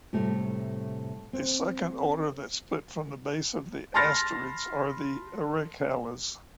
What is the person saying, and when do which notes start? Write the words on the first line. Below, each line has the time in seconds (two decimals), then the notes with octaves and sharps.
A second order that split from the base of the asterids are the Ericales.
0.13 A2 C3 G3 A3
1.33 C4
3.94 A5 B5 C6 F6 A6 A#6